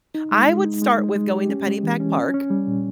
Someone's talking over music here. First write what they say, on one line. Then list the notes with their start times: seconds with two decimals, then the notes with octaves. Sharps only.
I would start with going to Pennypack Park,
0.15 D#4
0.31 G#3
0.48 G#3
0.65 D#4
0.82 G#3
0.98 G#3
1.16 G#3
1.33 G4
1.49 C#4
1.66 G#3
1.83 E3
2.00 C#4
2.17 C#4
2.34 C#4
2.50 G3
2.67 A#2